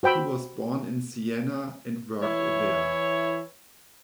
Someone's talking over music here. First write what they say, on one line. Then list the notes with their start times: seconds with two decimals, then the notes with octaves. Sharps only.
He was born in Siena, and worked there.
0.03 F#4 C5 G5 B5 E6
2.21 E3 E4 C#5